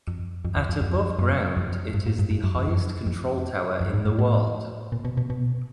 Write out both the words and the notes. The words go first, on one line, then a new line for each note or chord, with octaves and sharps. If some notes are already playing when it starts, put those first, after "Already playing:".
At above ground it is the highest control tower in the world.
F2
F2
E2
F2
F2
F2
F#2
F2
G2
G#2
G2
G2
F#2
F2
F#2
F2
F2
G#2
G#2
A2
A#2
B2
B2
B2